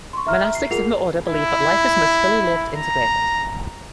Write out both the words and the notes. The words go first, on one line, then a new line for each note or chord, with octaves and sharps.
Monastics in the Order believe that life is most fully lived integrated.
C6 C#6
E5 A#5 F6
C7
F4 G#4 A#4 F#5 C7 F7
E4
A#5